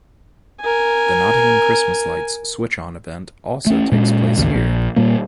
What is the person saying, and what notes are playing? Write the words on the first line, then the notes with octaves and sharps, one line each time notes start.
The Nottingham Christmas Lights switch-on event also takes place here.
A#4 G#5
A3 C#4
A#2 G#3 C#4
A1 D#2 C#3
A#1
A#2 G3 A#3